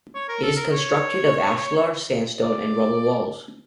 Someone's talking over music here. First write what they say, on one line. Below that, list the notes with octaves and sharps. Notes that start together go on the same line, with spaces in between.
It is constructed of ashlar, sandstone and rubble walls.
C#5
A#4
A4
A#4
C#5
D5